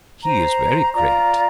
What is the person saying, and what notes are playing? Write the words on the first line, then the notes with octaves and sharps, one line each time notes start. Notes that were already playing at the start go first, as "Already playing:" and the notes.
He is very great.
C5 A#5
F4 D5 A#5